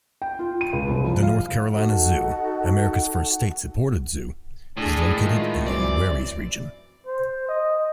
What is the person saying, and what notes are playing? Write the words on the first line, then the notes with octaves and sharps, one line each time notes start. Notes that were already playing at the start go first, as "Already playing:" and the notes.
The North Carolina Zoo, America's first state-supported zoo, is located in the Uwharries region.
G5
F4
D#7
C#2
C2
F3
F5
D#4 F#4 A4 F#5
A2 D4 G#4 A4
D#3 G#3 F4
F#2 E3 C4 D5
C5
D#5